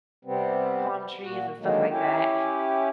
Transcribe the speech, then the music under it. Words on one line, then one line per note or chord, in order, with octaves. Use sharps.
palm trees and stuff like that.
C3 G3 B3 C4
A#2 F#4
D3 D#3 F#3 G#3 A#3
C#4 E4 G4